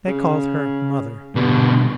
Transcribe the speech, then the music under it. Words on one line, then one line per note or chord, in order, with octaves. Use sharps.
They called her "mother."
C#3
G2 B2 D3